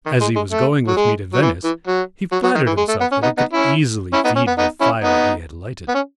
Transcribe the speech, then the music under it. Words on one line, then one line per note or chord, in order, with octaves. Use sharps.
As he was going with me to Venice, he flattered himself that he could easily feed the fire he had lighted.
D#3
G#3
G#3
A3
F#3
G#3
F#3
E3
E3
F#3
F#3
F#3
D#3
E3
G#3
A3
B3
C#4
B3 D#4
B3 D#4
C#4 E4
C#4 E4
B3 D#4
C#4
B3
B3 D#4
C#4 E4
B3 D#4
B3
C#4